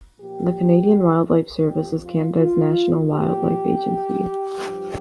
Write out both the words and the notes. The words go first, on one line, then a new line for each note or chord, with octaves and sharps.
The Canadian Wildlife Service is Canada's national wildlife agency.
A#2 F3 G4
F2 F3 G4
F4
F4
A#2 F3 G4
G2 F3